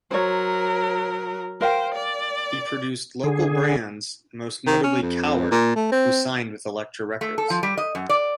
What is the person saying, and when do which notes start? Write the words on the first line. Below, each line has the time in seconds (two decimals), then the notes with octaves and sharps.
He produced local bands, most notably Coward, who signed with Elektra Records.
0.11 F#3 A#4 C5 C#5
1.61 A#4 C5 F5 G5
1.94 D5
3.24 D3 G#4
4.67 D#3
4.84 C#4
5.02 F2
5.51 A#2
5.76 A3
5.92 C4
7.21 A3
7.38 A4
7.50 F3
7.63 G3
7.77 D#5
7.95 F#2
8.09 D5